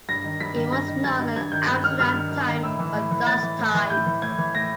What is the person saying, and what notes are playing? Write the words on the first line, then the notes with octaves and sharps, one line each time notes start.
It was known as Amsterdam Time or Dutch Time.
G2 A#6
D#3
G2 B6
D#3
G2 A#6
D#3
G2 A6
D#3
G2 G#6
D#3 G6
G2 F#6
D#3 F6
G2 F6
D#3
G2
D#3
A2 E6
E3
A2
E3
A2 A6
E3
A2
E3
A2 G6
E3
A2 G#6
E3
A2 A#6